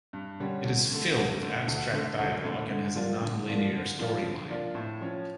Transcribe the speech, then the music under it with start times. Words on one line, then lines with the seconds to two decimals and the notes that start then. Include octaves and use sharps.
It is filled with abstract dialogue and has a non-linear storyline.
0.13 G2
0.40 D3 G3 C#4
0.64 D2
0.91 D3 A3
1.16 D2
1.41 D3 A3
1.68 D2
1.93 D3 A3
2.19 D2
2.45 D3 A3
2.70 D3
2.95 F3 A#3 D4 F4
3.22 D3
3.48 F3 A#3 D4 F4
3.73 D3
3.99 F3 A#3 D4 F4
4.23 D3
4.49 F3 A#3 D4 F4
4.75 A2
5.01 F3 C#4